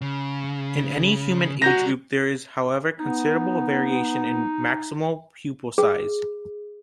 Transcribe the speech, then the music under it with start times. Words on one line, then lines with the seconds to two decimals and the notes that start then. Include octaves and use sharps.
In any human age group there is however considerable variation in maximal pupil size.
0.01 C#3
1.62 G3 F#4 A#5 G6 A#6
2.99 B3 D#4
5.78 G#4